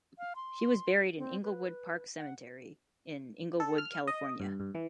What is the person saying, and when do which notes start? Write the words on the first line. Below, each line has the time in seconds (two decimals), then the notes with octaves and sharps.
She was buried in Inglewood Park Cemetery in Inglewood, California.
0.18 F5
0.36 C6
1.18 C4
1.43 B4
2.17 F#5
3.60 A4
3.78 F6
4.07 D#5
4.40 G2
4.60 G2
4.75 E3